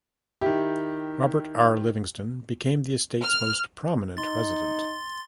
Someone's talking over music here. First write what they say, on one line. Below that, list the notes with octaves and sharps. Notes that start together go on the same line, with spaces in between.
Robert R. Livingston became the estate's most prominent resident.
D#3 E4 G4
F6
D#4 C6 A6